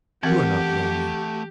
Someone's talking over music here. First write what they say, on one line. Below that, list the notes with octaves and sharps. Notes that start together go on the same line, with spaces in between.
You are not lonely.
E3 A3 C4 G4 A#4 F#5